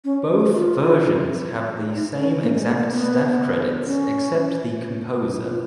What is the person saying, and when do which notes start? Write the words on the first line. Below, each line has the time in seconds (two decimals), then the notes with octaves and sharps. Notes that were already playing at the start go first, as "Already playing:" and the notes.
Both versions have the same exact staff credits except the composer.
0.04 C#4
0.53 F4
1.95 D#4
2.19 C#4
2.43 A#3
2.54 G#3
2.66 A#3
2.78 A#3
2.90 B3
3.85 C#4
5.44 F4